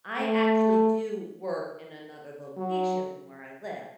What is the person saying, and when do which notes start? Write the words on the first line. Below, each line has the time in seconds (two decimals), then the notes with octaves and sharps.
I actually do work in another location from where I live,
0.19 A3
2.57 F#3